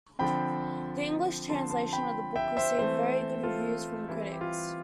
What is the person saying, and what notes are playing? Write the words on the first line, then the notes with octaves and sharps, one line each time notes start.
The English translation of the book received very good reviews from critics.
D3 F3 C4 G5 B5
D3 F3 C4 A5 C6
A5 C6
G5 B5
E5 G5
C5 E5
E3 A3 C4 C5 E5
F4 A4
E3 G3 C4 E4
G4
F4